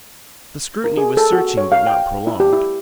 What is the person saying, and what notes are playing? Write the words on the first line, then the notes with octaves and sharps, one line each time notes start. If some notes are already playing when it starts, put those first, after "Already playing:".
The scrutiny was searching but not prolonged.
A#4
G#4
A4
F#4
C#5
F5
G5
E4
G4
E4